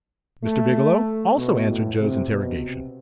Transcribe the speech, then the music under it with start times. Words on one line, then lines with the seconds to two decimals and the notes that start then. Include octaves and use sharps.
Mr. Biggielow also answered Joe's interrogation.
0.43 A3
1.37 B2
1.69 A2
2.00 C3
2.31 B2
2.63 C3